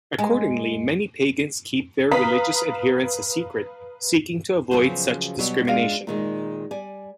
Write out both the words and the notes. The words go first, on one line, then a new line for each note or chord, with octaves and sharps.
Accordingly, many Pagans keep their religious adherence a secret, seeking to avoid such discrimination.
G#3
B4 F5 A#5 D#6 B6
C#3 F3 F#3 B3 F#4 C5
B2 F#3 G3
G#3 D4 F4 F5
A#2 D#3 G#3
G3 D5 G#5